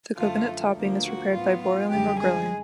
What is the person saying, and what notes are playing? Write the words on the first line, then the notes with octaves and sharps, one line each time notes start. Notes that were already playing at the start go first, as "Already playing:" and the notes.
The coconut topping is prepared by broiling or grilling.
F#2 D3 F3 A3 F4
D2 D3 F3 A#3
F#4
A2 F#3 B3 F4
F4
F#2 D3 F3 G3 G#3 G4
G#3 G#4